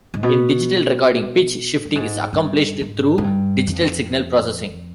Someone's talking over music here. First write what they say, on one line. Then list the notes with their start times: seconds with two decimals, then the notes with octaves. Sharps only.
In digital recording, pitch shifting is accomplished through digital signal processing.
0.14 G#2
0.23 B2
1.85 G2
1.95 G#2
2.33 G#2
2.38 G2
2.81 G#2
3.18 G#2
3.24 G2
3.67 F2